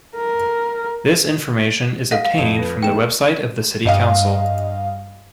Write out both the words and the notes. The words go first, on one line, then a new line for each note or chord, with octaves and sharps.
This information is obtained from the website of the city council.
A#4
D#5 F5 F#5 A#6
F5
F2 F7
B4 A#6
E2 A3 D#4 G5 E7
G2 D#5 F5